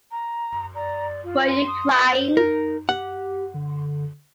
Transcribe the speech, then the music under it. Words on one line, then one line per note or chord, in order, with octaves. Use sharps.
Were you crying?
A#5
D5 A#5
F4
C6
D#6
C5
D#4 A#4
G4 F#5
D3